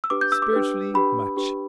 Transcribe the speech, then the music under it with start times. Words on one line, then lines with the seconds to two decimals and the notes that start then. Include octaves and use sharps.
Spiritually much.
0.04 E6
0.10 D4 G4 B4 D6
0.21 G6
0.32 E6
0.42 D6
0.53 D4 G4 B4
0.94 D4 G4 B4 B5
1.37 D4 G4 B4